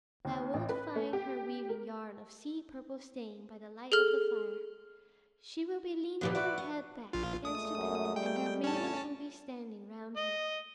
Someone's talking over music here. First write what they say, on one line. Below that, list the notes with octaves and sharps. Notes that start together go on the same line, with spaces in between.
Thou wilt find her weaving yarn of sea-purple stain by the light of the fire. She will be leaning her head back against a pillar, and her maidens will be standing round her.
D#2
A1
B4
A3
G4
A#4
G#4 A4 F6
D#2 A#2 F3 B3 G4 B4
F#4 B4 D5 E5
B3
A#1 F4
A#2 G#3 A3 D#6
F#2
G3 G5
E2 A2 C#4 A5
D#5